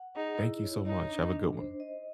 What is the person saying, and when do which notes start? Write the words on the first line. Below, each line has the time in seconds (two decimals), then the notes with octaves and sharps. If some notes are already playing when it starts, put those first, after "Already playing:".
Thank you so much. Have a good one.
Already playing: F#5
0.16 D#4 G#4
0.40 E4
0.63 C#5
0.87 D#4 D#5
1.10 D4
1.33 D4
1.57 C5
1.80 D#5